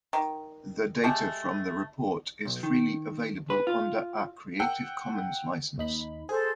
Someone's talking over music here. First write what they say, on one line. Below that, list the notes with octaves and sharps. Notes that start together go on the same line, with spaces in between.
The data from the report is freely available under a Creative Commons license.
D#3
G#3 A3 G4 A5
B1
D#3
B4
F4
F#5 G5 E6
D#2 D#4 B5
G#4 A4 C5